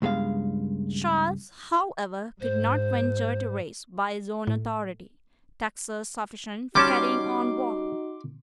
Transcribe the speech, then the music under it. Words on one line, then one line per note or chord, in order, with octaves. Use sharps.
Charles, however, could not venture to raise, by his own authority, taxes sufficient for carrying on war.
C#2 G2 G#3 B3 F5
G#2 C5
A2
G3 C#4 D#4 F#4 A5 C6 D6